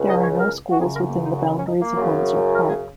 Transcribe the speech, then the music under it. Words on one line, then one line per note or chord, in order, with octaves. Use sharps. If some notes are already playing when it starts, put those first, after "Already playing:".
There are no schools within the boundaries of Windsor Park.
Already playing: C#2 C#3
D#5
C#5
A#4
F#4
F#2 C#3 G#4
A#4
A#3
D#4
F#4
D#4
C#4
D#4
A#3
F#2 C#3
A#4
G#4